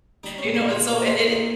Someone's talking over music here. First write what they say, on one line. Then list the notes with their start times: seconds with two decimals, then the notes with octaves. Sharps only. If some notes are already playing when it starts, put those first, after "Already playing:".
You know, it's so it it
0.24 G3 D#4
0.38 C#4
0.44 A#2
0.54 D#4
0.65 A#2
0.70 F4
0.86 A#2
1.06 A#2 F4
1.27 A#2 D#4